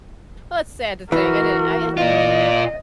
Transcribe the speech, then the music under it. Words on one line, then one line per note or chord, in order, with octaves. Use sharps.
it's sad to think, I didn't I I didn't realize that,
E3 F#4 A#4
A#2 F4 D#5